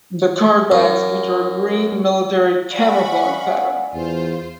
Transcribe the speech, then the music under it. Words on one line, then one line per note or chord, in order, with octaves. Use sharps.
The card backs feature a green military camouflage pattern.
F#2
D5 F5 F#5 G#5 B5 C#6
E2 F4 C5